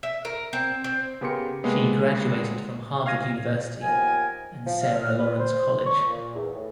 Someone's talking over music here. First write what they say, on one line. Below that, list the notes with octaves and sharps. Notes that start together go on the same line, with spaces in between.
She graduated from Harvard University and Sarah Lawrence College.
E5
A#4
C4
C4
C#3 B3 G4 A#4 C6 C#7
C3 G#3 A#3 B3
F5 F6 G#6 A#6 D#7
D#2 F3 B3 A#4 G#5
F3
F5
F6
B4
C5
C#6
A#2
E2
A2